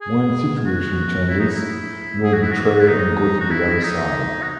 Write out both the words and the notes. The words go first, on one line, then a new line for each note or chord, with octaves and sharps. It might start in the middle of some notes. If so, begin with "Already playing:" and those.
When situation changes, you’ll betray and go to the other side.
G#4
F#4
E4
D#4
E4
G#4
F#4
E4
F#4
E4
D#4
F#4
E4
D#4
F#4